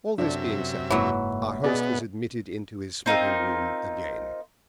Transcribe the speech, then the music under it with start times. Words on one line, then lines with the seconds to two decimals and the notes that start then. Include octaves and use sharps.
All this being settled, our host was admitted into his smoking-room again.
0.18 F#2 C3 D4 E5
0.90 F#1 G#2 E3 F#3 A#3 C#5
1.64 B2 B3 G#4 D5
3.06 C4 D#4 F4 A#4